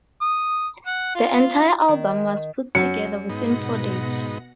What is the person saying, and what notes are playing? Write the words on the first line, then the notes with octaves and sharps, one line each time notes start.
The entire album was put together within four days.
D#6
F#5
F4
D#3
F#2 C#7
G#2 B2 B3 D#4 F#5 A#6